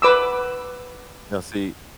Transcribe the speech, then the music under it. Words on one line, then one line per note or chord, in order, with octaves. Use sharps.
Now, see,
B4 D6 E6